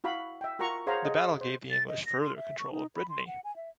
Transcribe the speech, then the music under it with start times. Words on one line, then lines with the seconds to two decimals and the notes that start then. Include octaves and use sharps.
The battle gave the English further control of Brittany.
0.04 E4 F#4 F5 B5
0.41 E5 G5
0.59 F4 F#4 A#4 A#5 C#6
0.87 G#4 C5 C#5 F5 F#5 A#5
1.05 G#4 D#5
1.41 C5
1.71 A6
1.88 D#5
2.06 A#6
2.21 C6
2.37 E5
2.59 C#6
2.71 D#4
2.96 B5
3.10 C6
3.27 F#5
3.44 G#5
3.56 E5